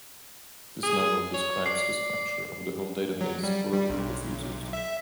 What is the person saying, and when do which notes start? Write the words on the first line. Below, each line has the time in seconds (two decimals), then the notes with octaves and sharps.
This level describes the structure of the whole database for a group of users.
0.83 G#4
1.34 C#5
1.66 D5 C7
3.21 F#3
3.43 G3
3.73 G3
3.90 B1
4.73 E5